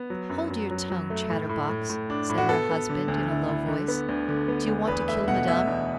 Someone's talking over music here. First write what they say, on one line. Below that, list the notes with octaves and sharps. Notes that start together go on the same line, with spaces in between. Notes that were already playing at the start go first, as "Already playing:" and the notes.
"Hold your tongue, chatterbox," said her husband, in a low voice; "do you want to kill madame?"
Already playing: B3
F#3
F#2
F#2
F#3
F#3
A3
A2
A2
A2
A2
D4
A2
F#4
B3 A4
B3
D3
D2
E4
E4
D3
B3
D2
D3
B3
D2
E2 B4
A3 E5
B2 F#5
B2 E5
E2